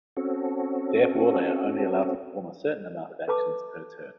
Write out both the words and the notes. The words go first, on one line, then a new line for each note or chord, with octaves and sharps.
Therefore, they are only allowed to perform a certain amount of actions per turn.
C4 C#4 F#4 A4
A4 B4 A5 D6